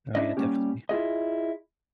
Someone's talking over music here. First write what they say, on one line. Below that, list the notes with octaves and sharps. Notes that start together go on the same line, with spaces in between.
Oh, yeah. Definitely.
C#4 D4 E4 D5 D#5
G3 A#3 C#4 G4
E4 F4 G#4 D#5